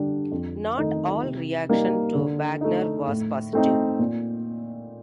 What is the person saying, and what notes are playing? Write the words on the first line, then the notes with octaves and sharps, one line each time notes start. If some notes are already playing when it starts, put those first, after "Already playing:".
Not all reaction to Wagner was positive.
Already playing: D3 G3 D4
F2
D#3 A3 D#4
C3
G3 A#3 D#4
D3
A3 D#4
A2
A3 C4 D#4
A#2